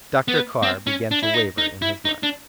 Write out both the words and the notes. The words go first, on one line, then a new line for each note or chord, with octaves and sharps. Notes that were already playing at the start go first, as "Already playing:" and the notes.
Dr. Carr began to waver in his mind.
B3
C4
C#4
D4
E4
D#4
D#4
E4
D#4
D4